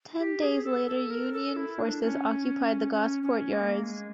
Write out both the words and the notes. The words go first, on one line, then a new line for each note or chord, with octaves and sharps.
Ten days later Union forces occupied the Gosport Yards.
G4
G#4
A4
A4
A#4
A4
E4
D4
C#4
C#4
C#4
A#3
G#3